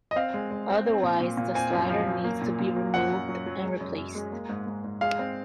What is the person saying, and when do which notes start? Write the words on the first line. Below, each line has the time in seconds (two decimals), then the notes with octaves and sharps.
Otherwise the slider needs to be removed and replaced.
0.11 D#5
0.16 C4 F5
0.34 G#3
0.51 G#3
0.69 C4
0.86 C4
1.03 A#2
1.20 A#2
1.37 A#2
1.55 C4 G#5
1.73 F#2
1.90 F3
2.07 F#2
2.24 A#3
2.42 A#2
2.59 A#2
2.76 A#3
2.94 F#2 F#5
3.11 F#2
3.29 F#3
3.46 F#3
3.63 G#3
3.80 F#2
3.98 F#2
4.15 G#3
4.32 A#3
4.49 G#2
4.67 G#2
4.84 G#2
5.01 G#3 F5
5.19 C4